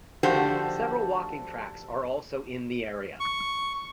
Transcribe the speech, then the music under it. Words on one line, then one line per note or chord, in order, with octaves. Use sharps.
Several walking tracks are also in the area.
D3 F3 A3 F#4 G4 C5
C#6